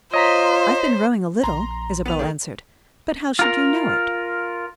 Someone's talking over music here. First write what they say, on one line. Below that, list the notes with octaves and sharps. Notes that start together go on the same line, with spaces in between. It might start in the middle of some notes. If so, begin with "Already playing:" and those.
"I've been rowing a little," Isabel answered; "but how should you know it?"
F4 C5 C#5 D#5 A#5 B6
A#1 A#5 C6
B3 F7
D#3 A3
F4 A#4